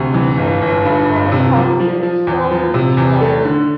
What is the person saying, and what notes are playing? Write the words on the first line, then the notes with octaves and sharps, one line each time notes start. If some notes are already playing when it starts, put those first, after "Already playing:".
gosh, that's wonderful, and it's healthier, so much better.
Already playing: D2 C3
E3
G1
G1
G2
G1
C3
F3
F3
F3
E2
F3
C3
E2
A3
D3